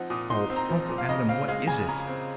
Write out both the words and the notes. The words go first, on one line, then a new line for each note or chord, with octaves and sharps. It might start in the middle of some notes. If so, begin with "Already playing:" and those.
"Oh, Uncle Adam, what is it?"
Already playing: F3 C4 D#4 F#5
A#2 D#6
D#4 C6
C4
A#5
F3
A#2
F5
C#3 D#5
C4 F5
G#3 F5
C#3 G#5
C#3 A#5
C4